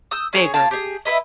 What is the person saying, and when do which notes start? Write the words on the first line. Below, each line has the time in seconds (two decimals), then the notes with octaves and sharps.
bigger than that.
0.11 D#6 E6 G6
0.33 C#4 G#4 A4 C#5
0.54 A#3 F4 A5
0.71 G4 G#4
1.05 E4 B4 D#5